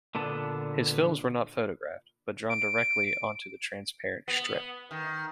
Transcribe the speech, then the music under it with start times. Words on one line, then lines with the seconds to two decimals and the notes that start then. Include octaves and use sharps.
His films were not photographed, but drawn directly onto the transparent strip.
0.15 A#2 D3 B3 A5
2.50 D7
4.28 B3
4.91 D#3